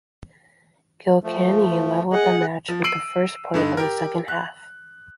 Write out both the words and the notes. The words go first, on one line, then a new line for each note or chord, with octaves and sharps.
Kilkenny leveled the match with the first point of the second half.
F3 A3
G#4 D#5 F#5
F3
E6 C7 D7 D#7 F#7
G2 D3 D#4
G4 A#4
F#6